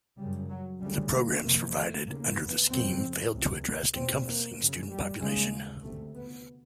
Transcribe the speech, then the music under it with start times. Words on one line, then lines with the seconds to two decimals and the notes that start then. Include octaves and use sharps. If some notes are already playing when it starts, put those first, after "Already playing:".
The programs provided under the scheme failed to address encompassing student population.
0.18 F#2 C#3 G3
0.49 F#3
0.81 D2 C#3 G3
1.12 A#3
1.43 F2 C3 A#3
1.75 A3
2.06 D#2 C#3 A#3
2.38 B3
2.69 F2 C#3 C4
3.32 C#2 C3
3.94 E2 B2 C4
4.26 A#3
4.57 F#2 C#3 F3
4.89 G3
5.20 D#2 C#3 G#3
5.83 D2 C3 A3
6.14 B3